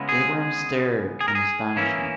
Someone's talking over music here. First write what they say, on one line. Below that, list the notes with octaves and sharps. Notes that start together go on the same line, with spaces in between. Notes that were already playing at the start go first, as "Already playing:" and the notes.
Abram stared in astonishment.
Already playing: C#3 G#3 B3 E4
G#4
G#4
A#4
G#4
E3 A#3 C#4 E4